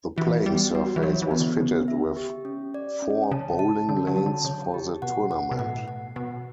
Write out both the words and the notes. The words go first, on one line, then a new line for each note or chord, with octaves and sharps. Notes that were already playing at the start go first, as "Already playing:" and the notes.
The playing surface was fitted with four bowling lanes for the tournament.
E3 F#4
G3 B3
G3 F#4
E3
F#3 C#5
E3
B3
D3
C#3 B3
E5
G4
C#4
D5
C#4
C#3 A5
A5
D3 C#4
F#3
A5
D3
C#3 C#5
G4
B2 F#5
F#5
B2
A2 F#5
F#5
B2 F#5